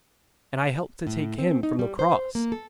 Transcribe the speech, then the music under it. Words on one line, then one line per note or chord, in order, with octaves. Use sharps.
And I helped to take Him from the cross.
A2
C4
D#4
G3
C5
A#3
A4